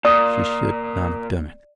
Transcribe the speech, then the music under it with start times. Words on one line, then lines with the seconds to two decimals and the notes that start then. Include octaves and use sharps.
She should not have done it.
0.05 A#2 D5 D#6